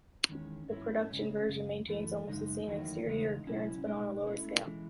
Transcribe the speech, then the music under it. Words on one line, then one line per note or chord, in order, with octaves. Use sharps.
The production version maintains almost the same exterior appearance, but on a lower scale.
E2 D#3 G#3 C#4
G#2 F#3 C#4 E4
C#3 G#3 C#4
F#2 C#3
F#2 E3 A3
F#2 C#3 G#3 D#4
E2 D#3 F#3 A3
E2 C#3 G#3 D#4
B2 F#3 C#4 E4
B2 G#3 D#4
B2 A3 C#4 E4
E3 G#3